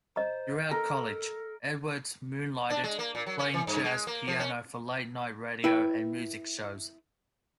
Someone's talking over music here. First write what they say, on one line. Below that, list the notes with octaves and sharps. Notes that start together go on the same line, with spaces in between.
Throughout college, Edwards moonlighted, playing jazz piano for late night radio and music shows.
C5 D#5 A#5
A4 A#4
D4
G#3
A#3
A#2
F#3
C#4
E3
G2
G#3
A#3
F3
C#4
E4 B4 G5